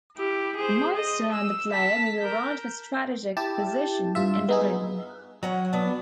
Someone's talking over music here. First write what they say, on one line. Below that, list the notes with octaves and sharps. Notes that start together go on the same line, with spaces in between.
The monster and the player move around for strategic position in the room.
E4 G4
G#4 C5
D#5
E6
A5 B6
A#4 G6
E4 G4 A5
G2 F4 E5
B3 D#4 G#4
F#3 C#4 F#5 A#5
B3 D4